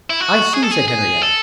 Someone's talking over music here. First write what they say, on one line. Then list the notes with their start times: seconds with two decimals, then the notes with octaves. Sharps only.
"I see," said Henriette.
0.10 E4
0.20 F#4
0.54 G#4
0.63 A4
0.71 G#4
0.88 G#4
1.21 A4